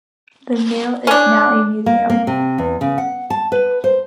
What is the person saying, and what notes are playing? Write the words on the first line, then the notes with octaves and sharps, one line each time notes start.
The mill is now a museum.
C#4 D4
A#3
A#3
C3
E2
C#3
F#5
A5
B4
C5